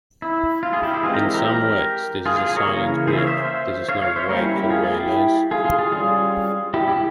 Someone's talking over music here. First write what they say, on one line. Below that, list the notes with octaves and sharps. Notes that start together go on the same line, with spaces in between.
In some ways this is a silent grief, this is no wake for wailers.
E4
F4
F4 G#4
E4 G4
E4 G4
E3 G#3 C4 F4 G#4
G4 A#4
G4 A#4
G4 A#4
F4 G#4
F4 G#4
F4 G#4
A#4 C#5
C#3 E3 A#3
G#4 C5
E5
C#5 F5
C5 E5
C5 E5
C#5 F5
C#5 F5
C5 E5
G3 A#3 C#4 A#4 C#5
E4
E4 G4
F4 G#4
F4 G#4
E4 G4
F4 G#4
F4 G#4
F4 G#4
G3 C#4 F4 G#4
E4 G4
E4 G4